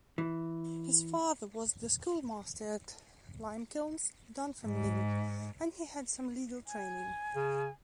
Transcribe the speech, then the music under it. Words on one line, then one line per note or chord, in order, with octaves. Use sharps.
His father was the schoolmaster at Limekilns, Dunfermline, and he had some legal training.
E3
G#2
G#5
C#3